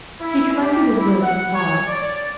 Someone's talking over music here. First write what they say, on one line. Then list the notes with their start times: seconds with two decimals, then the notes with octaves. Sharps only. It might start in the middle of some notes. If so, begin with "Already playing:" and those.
He collected his wits and thought.
0.20 E4
0.61 G4
0.94 E4
1.22 F#5
1.54 C#5
1.87 D5